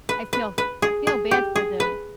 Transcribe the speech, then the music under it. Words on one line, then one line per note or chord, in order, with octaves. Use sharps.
I feel I feel bad for the
B4
B4
B4
G#4
G#4
G4
G#4
B4